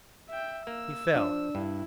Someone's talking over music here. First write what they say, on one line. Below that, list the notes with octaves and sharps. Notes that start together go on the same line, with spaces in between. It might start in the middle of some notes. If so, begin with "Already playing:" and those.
He fell.
E5 G5
A#3 E6
F3 D4 D5
G2 E4